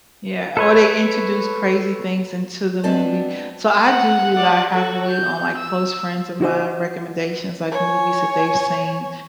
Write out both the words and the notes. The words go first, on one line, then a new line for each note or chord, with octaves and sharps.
Yeah, or they introduce crazy things into the movie so I do rely heavily on my close friends of mine recommendations, like movies that they've seen.
A4 B4 C#5
G#3 B3 C4 D4 D5 A5
F#5
D5 F#5
F#4 A4
G6
E6
E4 F#4 C5 D#5
C#5 G#5